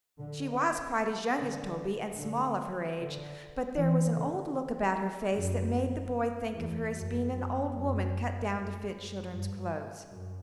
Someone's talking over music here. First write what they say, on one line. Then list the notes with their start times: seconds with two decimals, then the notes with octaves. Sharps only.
She was quite as young as Toby, and small of her age; but there was an old look about her face that made the boy think of her as being an old woman cut down to fit children's clothes.
0.19 D3
1.38 D3
2.17 D3
2.96 D3
3.76 E3
4.16 D3
5.35 F#2
6.54 E2
6.94 F#2
7.33 F#2
7.73 F#2
8.53 F#2
9.32 G2
10.12 F#2